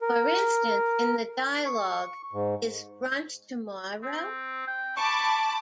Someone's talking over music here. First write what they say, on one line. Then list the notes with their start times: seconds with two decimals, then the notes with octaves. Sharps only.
For instance, in the dialogue Is it brunch tomorrow?
0.01 A#4
1.66 C#6
2.33 G#2
4.03 C4
4.67 G5
4.97 A5 B5 C#6 D6